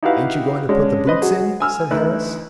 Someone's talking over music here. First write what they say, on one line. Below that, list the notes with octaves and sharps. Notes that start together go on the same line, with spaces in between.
"Ain't you going to put the boots in?" said Harris.
D#4 E4 F#4 G4 B4 F5
D3 G#3 C#4 D4
B4 C5 D#5 B5
F#3 F#4 G#4
G#5 E6 F6
D2 E3 D#4 E4 F#6